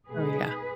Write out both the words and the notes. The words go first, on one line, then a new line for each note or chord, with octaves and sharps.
Oh, yeah.
B2 G#3 D#4 G#4 B4